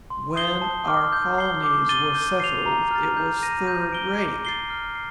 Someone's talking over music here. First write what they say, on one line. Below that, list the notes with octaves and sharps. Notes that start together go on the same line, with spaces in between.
When our colonies were settled it was third-rate.
C6
D#6 G6 C7 G7
A5
D6 F6
G6
C7 G7
D6
A6 D#7 G7
G6
C7 F7
A#5
F6 A6
G6
A#6 D#7
G6
D7 G7
D6
A6 C7 G7
F6
C7